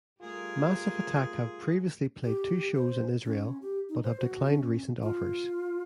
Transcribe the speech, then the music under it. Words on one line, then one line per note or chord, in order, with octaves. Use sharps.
Massive Attack have previously played two shows in Israel, but have declined recent offers.
G3 A3 F4 G#4 A#4
G4
C5
C#4
G4
D#4
C5
F#4
C#4
F4